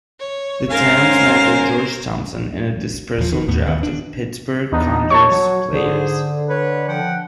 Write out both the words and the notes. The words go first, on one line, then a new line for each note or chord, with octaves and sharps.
The Tams landed George Thompson in a dispersal draft of Pittsburgh Condors players.
C#5
G#2 C#4 A#4 C5 F5 G#5
E1 F3
D#3
D#2 A2 B3
D#1 D#3 B3
D4
E2 B3 D4 D#4
C#5 A5 C#6
F#3
G#2 D3 G#4 C5
B4 C#5
F3 F#5 G5